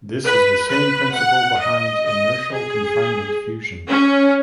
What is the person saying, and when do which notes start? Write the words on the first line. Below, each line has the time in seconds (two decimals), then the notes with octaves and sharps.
This is the same principle behind inertial confinement fusion.
0.24 B4
0.69 B4
1.15 F#5
1.61 D#5
2.07 D#5
2.53 G#4
3.89 C#4